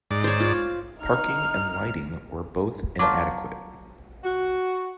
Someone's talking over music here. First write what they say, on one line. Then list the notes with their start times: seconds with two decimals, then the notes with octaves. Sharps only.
Parking and lighting were both inadequate.
0.11 G#2 D5
0.24 C5 C#5
0.40 F4
0.99 D#4 F6
2.99 F#3 F4 C#5 A5 D6
4.24 F#4